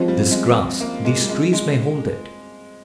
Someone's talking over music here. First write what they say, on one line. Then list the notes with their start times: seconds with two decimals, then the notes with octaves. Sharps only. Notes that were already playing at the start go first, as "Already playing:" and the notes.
This grass, these trees, may hold it.
Already playing: F3 G#3 C4 F4 C5
0.08 G3
0.31 G#3
0.80 A#3
1.05 G#3
1.21 G3
1.29 G#3
1.53 G#3